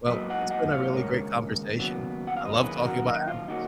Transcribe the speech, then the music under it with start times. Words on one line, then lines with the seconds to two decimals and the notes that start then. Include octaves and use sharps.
Well, it's been a really great conversation. I love talking about animals,
0.08 G#2 F#3 A#3 B4 D#5
0.30 D#5 F#5
0.50 D#5 F#5
0.72 C#5 F5
0.93 D#2 C#3 G#3 A#4 C#5
1.79 D#2 C#3 F#3 B3
2.27 F#5
2.37 F5
2.45 D#5
2.54 C#5
2.63 F#2 D#3 A#3 G#4 B4
2.85 F#4 A#4
3.06 D#4
3.28 F4
3.48 D#3 A#3 C#4 D#4 F#4